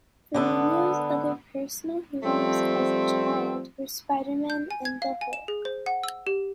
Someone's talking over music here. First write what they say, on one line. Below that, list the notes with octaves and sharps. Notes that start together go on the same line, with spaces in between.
Ferrigno's other personal heroes as a child were Spider-Man and the Hulk.
D3 B3 A4
F3 G3 A3 C4
G6
G#5
G#6
F5
G#5
E7
G#4
C5
F#5
E6
G4